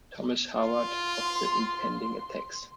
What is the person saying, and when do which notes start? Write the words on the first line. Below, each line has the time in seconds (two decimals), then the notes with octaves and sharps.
Thomas Howard of the impending attacks.
0.56 F4 C6